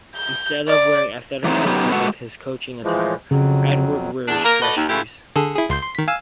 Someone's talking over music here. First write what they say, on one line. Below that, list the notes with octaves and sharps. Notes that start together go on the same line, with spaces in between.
Instead of wearing athletic sneakers with his coaching attire, Edwards wears dress shoes.
G6
D5
E3 F#3 A3 C4 D#4
F#3 B3 C#4 D#4 G4
G#3 F#4 A4 B4 F#5
E3 F3 G#3
F2 C#3 F#3
E2 D4
A#3 A#4
A3 F#4 A4 B4 D5 D#5
D#2
C#3 E3 A3 E4 F4 G4
D3 G#4 A4
E4 G#4
C#2 C6 G6
C6
D#3 B6
F5 G#5 E6